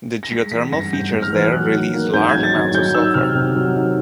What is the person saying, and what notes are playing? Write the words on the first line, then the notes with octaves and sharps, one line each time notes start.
The geothermal features there release large amounts of sulfur.
A#6
G#3 B6
E3 B6
G2 A#6
G2 G6
G#3
F6
E3
F#3 F#6
D#3
A#3
G#2 G6
G#6
F#3
A6
D#3 G#6
F#3 G6
D#3 E6
C3 F6
C3
F#3
D#3